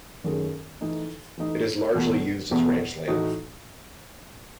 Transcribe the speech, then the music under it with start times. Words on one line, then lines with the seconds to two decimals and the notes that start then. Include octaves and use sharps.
It is largely used as ranch land.
0.24 F#2 D#3 A3 C#4 G#4
0.81 E3 A3 D#4
1.38 E3 A3 D#4
1.95 E2 B2 A3
2.51 E2 B2 A3
3.07 A2 E3 A3 D#4 F#4